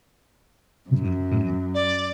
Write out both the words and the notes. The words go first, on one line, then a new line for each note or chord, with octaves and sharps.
Mhm, mhm.
F#2
D5